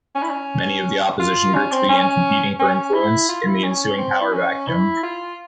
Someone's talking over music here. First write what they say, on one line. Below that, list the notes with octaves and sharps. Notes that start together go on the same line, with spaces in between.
Many of the opposition groups began competing for influence in the ensuing power vacuum.
C#4
E4
C#4
F4
C#4
C4
C#4
C#4
E4
F4
E4
C#4
C4
E4
C#4
E4
F4